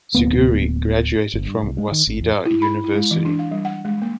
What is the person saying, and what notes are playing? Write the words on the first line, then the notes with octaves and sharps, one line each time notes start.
Suguri graduated from Waseda University.
D1 A#3 B3
G1
G2
C2
G#3
D#3
G#1
E2
E4
B5
E4
G#3
E3
D4
F5
G3
F#5
G#3
A#3